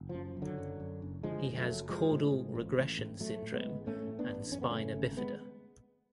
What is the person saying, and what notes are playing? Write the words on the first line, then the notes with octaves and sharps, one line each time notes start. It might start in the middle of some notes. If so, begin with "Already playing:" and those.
He has caudal regression syndrome and spina bifida.
Already playing: F#1
F3
F#2
F#1
D3 F#3
F#2
F#2
F#1
D3 F3 G#3
F#1
F#3 A3
F#1
A1 F3 G#3
A2
A2
A1
A1
A2
A2 F#3 A3
A2
G#3 B3
A1
A2 A3 C#4
A2
B3 D4
A1
F#2 C#4
B3
C#3 A3 C#4
G#1
G#3 B3